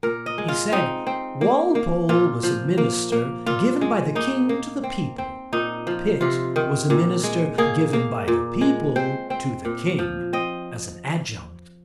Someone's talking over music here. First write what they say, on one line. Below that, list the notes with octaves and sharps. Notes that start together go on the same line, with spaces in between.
He said, 'Walpole was a minister given by the King to the people: Pitt was a minister given by the people to the King,--as an adjunct.'
A#2 A#4
D#5
G#3
F4
C4 D#4
C4
A#3
A#3
A#2 F4
F3
A#3
A#3
A#2 F4
G#3
A#3 D#4
A#3
C4
C4
A#2 D#4
F3
C3 F4
D#3
A#2
G#3
A#3 G#4
A#3
A#2
G#3
C4 C5
C4
A#2
F3
C4 D#5